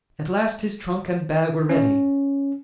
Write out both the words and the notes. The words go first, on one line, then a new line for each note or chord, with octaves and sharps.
At last his trunk and bag were ready.
C#4